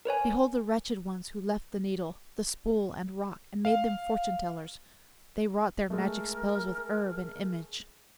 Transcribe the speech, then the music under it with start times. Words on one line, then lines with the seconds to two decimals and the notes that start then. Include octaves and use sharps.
Behold the wretched ones, who left the needle, The spool and rock, and made them fortune-tellers; They wrought their magic spells with herb and image.
0.05 A#4 B4 C#5 G#5
3.65 F5
5.90 G#3 A3 A#4